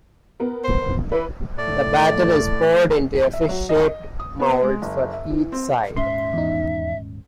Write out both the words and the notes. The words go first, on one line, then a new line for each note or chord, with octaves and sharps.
The batter is poured into a fish-shaped mould for each side.
B3 A#4
C5
E3 B4
A2 A3 D5
E5
F#3
D#5
D#6
B3
G#3
F#1
E5
E3
C4
D#1 G#2 C#4 E5 C6
E2 D#4